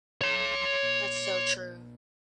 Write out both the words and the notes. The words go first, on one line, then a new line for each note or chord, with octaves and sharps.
That's so true.
C#5 C6